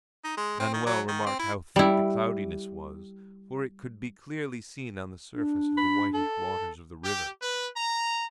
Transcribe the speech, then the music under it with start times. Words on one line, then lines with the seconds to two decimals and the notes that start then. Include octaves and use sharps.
Manoel remarked how thick the cloudiness was, for it could be clearly seen on the surface of the whitish waters of the river.
0.24 D#4
0.37 G#3
0.60 C4
0.74 D#3
0.86 F#3
1.08 D#3
1.26 C4
1.39 E4
1.76 G3 E4
5.35 D4
5.77 B5
6.14 A4
7.04 G4
7.42 B4
7.75 A#5